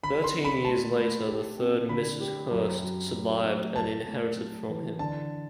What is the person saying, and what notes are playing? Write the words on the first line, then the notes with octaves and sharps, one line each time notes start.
Thirteen years later, the third Mrs. Hearst survived and inherited from him.
D3 B5
C6
C4
B5
A3 A5
A3
G4
C4
D3 B5
G4
F#2
F#2
A3
A3
F#2 A5
A3
A3
E3
D3 A5